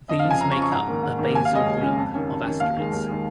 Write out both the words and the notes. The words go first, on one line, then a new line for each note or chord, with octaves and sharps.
These make up a basal group of asterids.
F2 D#5
F5
C#3 F3
G#5
F2 A#5
C#6
C#3 F3
C#6
G#2 A#5
D#3 A#3
G#2
D#3 A#3
D#2 G#5
F5
C#3 G#3 C#4 D#5
D#2
C#3 G#3 C#4
F2
D#3 C#4
F2
D#3 C#4
D#2 F5
D#3 G#3
D#2
D#3 G#3